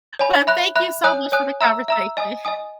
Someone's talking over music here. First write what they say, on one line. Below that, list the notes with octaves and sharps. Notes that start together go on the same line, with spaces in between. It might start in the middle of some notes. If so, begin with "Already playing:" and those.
Well, thank you so much for the conversation.
C#5 G#5 B5
E5 B5 F#6
E5 B5 F#6
C#5 G#5 D#6 F#6
C#5 G#5 D#6 F#6
E5 A#5 E6
E5 A#5 E6
D#5 G#5 D#6
D#5 G#5 D#6